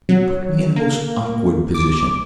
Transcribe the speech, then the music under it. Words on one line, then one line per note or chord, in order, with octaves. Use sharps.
It put me in a most awkward position.
F#3
A#3
D6